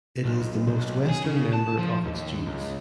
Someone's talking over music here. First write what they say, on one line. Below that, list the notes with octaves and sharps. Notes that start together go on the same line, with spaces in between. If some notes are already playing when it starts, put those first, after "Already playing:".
It is the most western member of its genus.
B1
B1
G#4
C#3
A5
F3
D#2
C#2